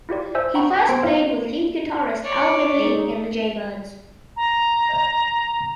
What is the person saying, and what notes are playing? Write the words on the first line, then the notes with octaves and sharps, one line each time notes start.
He first played with lead guitarist Alvin Lee in The Jaybirds.
E4 F4 G4 D5
C5 E5 G#5 E6 G6
F#5 G5 A#5 B5 C#6
D#6 B6
B3 C5 G5 C6 G#6 D7
D#4 F4 C#5 E5 F5
C#5 D5
G#3 D#4
A#5